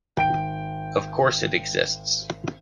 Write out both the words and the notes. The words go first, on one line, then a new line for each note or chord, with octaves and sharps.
Of course it exists!
G#1 G5 D7